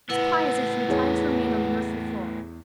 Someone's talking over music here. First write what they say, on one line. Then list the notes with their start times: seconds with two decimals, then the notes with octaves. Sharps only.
It was quite as if she were trying to remain on the nursery floor.
0.09 A2 B3 E4 B4 F#5
0.88 E2 G#4 C#5